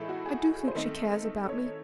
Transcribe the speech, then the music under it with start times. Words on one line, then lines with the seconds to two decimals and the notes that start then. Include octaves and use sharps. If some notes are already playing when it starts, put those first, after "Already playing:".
I do think she cares about me.
Already playing: A2 E3 G#3 D#4 A4 E5
0.09 F#4
0.26 G#4
0.68 C5
0.75 D#3 A3 C4 D#4 A4
1.24 A4
1.49 C#5